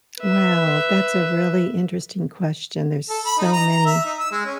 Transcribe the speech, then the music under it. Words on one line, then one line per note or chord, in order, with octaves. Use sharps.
Well, that's a really interesting question, there's so many.
B4 E5
A4
B5
D#4
A#5
A#5
E5
D#4
E6
G#3
C#4